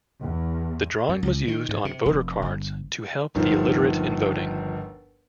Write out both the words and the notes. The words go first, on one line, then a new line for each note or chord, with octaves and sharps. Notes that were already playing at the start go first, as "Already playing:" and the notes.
The drawing was used on voter cards to help the illiterate in voting.
E2
F#2
C#2
D#3
G#2
C3
F1
G1
G1 D#2 D#3 F3